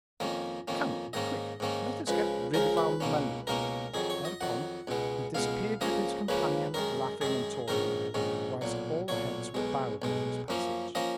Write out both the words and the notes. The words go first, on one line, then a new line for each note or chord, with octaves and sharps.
"But come, quick! let us get rid of our money." Thereupon he disappeared with his companion, laughing and talking, whilst all heads were bowed on his passage.
F2 D#3 A#3 C#4
F2 D#3 A#3 C#4
G#2 D#3 A#3 C#4 D#5
G#2 D#3 A#3 C#4
C#2 C#3 F3 G#3 B4
C#2 C#3 F3 G#3 A#4
B4
C#2 B2 A#3 C#4
C#2 B2 A#3 C#4 A#4
F2 D#3 F#3 G#4
C#5
D#5
F2 D#3 F#3 F#5
C#2 B2 G#3 B3
C#2 B2 G#3 B3 F5
C#2 C#3 F3 A#3 C#4 D#5
C#2 C#3 F3 A#3 C#4 B4
F#2 D#3 G#3 A#4
F#2 D#3 G#3 G#4
A#1 G#2 D#3 G#3 C#4 A#4
A#1 G#2 D#3 G#3 C#4
B1 A#2 F#3
B1 A#2 F#3 C#5
B1 B2 G#3
B1 B2 G#3
F#2 F3 A#3 C#4
F3 A#3 C#4 D#5